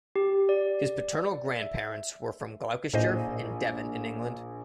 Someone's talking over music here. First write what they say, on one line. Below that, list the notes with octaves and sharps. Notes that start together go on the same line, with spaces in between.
His paternal grandparents were from Gloucestershire and Devon in England.
G4
D5
E5
A#1 A2 C5 D#5